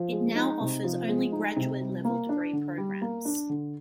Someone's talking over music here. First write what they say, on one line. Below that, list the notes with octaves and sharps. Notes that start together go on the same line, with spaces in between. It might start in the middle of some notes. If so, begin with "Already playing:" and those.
It now offers only graduate-level degree programs.
Already playing: F3
G#3
D#4
C3
F3
G#3
D#4
C3
G3
A#3
D4
D3
G3
A#3
D4
D3